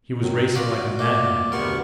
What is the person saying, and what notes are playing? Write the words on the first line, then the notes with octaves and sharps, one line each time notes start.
He was racing like a madman now.
D#3 F#3
F4 F#4 D5 D6
A#2 A3 D5
D2 G3 B3 A#4 C6 C#6